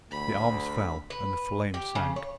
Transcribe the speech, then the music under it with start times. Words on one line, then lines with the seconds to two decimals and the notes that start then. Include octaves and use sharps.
The arms fell and the flame sank.
0.11 D2 B5
1.10 B4
1.74 G4
1.95 C#3
2.16 C#5